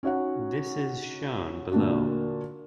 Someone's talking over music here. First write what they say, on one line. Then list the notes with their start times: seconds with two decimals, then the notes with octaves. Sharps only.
This is shown below.
0.03 C#4 D#4 F#4 C#5 F#5
1.71 A#2 D3 D4 F#4